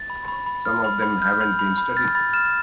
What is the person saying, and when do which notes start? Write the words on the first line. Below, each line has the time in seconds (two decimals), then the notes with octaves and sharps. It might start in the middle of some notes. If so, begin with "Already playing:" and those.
Some of them haven't been studied.
Already playing: A6
0.10 B5
0.28 B5
0.46 B5
0.65 F6
0.84 B5
1.02 B5
1.22 F6 G6
1.41 B5
1.59 B5
1.78 B5
1.96 F6 A6
2.15 B5 A6
2.33 F6 E7